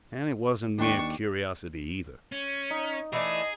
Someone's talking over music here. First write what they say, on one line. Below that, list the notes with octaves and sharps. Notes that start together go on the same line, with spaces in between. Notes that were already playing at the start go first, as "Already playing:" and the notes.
And it wasn't mere curiosity, either.
D#2 D4 G5 C#6
C#4
D#4
E3 A3 G#4 D5 D#5